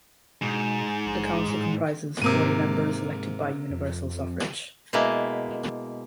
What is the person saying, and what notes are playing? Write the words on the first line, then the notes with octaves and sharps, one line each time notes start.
The Council comprises forty members elected by universal suffrage.
G#2 B2
A#1
A2
G#2 C3 A#3 D#7
F2
B2 G#3 A#3 E4